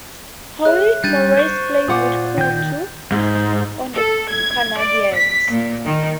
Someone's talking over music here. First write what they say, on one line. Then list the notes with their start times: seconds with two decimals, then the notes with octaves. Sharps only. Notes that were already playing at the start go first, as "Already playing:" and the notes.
Howie Morenz played with Coutu on the Canadiens.
0.65 G#4 C#5 E5 F#6
1.04 G3 D4 G6 A6 D#7
1.37 C5 C#6
1.88 A#2 F4 F#5 D6 D#6
2.38 D#3 G5 G6
3.12 G#2
3.95 A4
4.31 G#6
4.80 D5
5.16 B6
5.51 A#2
5.85 D#3